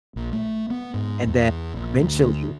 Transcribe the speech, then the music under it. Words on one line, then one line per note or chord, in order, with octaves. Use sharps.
and then, eventually,
A#1
A3
B3
G#2
E2
A#1
D2